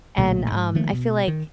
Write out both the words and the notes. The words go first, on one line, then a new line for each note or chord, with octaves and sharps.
And, um, I feel like
B1 A#2 D3 A3
G#2
D#3 F3 A3 A#3
B2
D#3